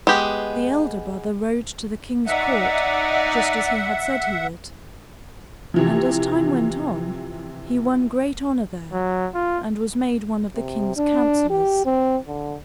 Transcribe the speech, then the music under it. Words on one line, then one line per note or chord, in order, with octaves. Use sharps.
The elder brother rode to the king's court just as he had said he would; and as time went on he won great honor there and was made one of the king's counselors.
G#3 B3 G4
D#4 D5 E5 F#5
C3 E3 F3
F#3
F4
C3
D4
G4
C4
D3